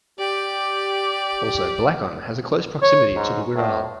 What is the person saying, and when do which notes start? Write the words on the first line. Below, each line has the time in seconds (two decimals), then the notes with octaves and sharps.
Also Blacon has a close proximity to the Wirral.
0.19 G4 D5
2.82 C#5
3.15 G#2
3.55 A2